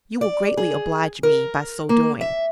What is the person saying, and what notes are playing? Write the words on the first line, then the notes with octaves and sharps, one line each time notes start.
You will greatly oblige me by so doing.
D5
G#4
A#4
A#3
E5